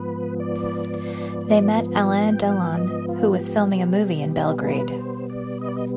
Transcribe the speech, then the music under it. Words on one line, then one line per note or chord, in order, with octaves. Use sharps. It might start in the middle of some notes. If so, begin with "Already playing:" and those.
They met Alain Delon, who was filming a movie in Belgrade.
Already playing: G#2 F3 B3 B4
D5
G5
F5
G5
D5
D#5
F4
G4
B2 G3 B3
G#4
B4
C5
D5
D#5
D5
D#5